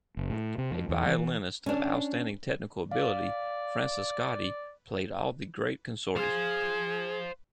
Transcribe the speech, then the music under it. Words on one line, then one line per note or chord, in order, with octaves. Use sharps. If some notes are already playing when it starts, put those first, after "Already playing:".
A violinist of outstanding technical ability, Francescatti played all of the great concerti.
F#1
A2
C3
F2
E2
E3
C#4 D4
D5 F5
G#4 C5 F5